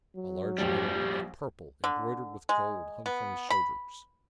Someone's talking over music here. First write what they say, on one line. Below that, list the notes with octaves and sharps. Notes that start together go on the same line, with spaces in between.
A large mantle of purple embroidered with gold hung from his shoulders.
F#3
F1 A#1 F3 G3 G4
A#1
D3
G#3
B3
B5